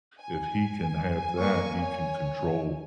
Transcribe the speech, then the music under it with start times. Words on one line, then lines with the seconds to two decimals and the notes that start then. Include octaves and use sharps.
if he can have that, he can control
0.19 G#5
1.39 A#3 C#6
1.83 C#5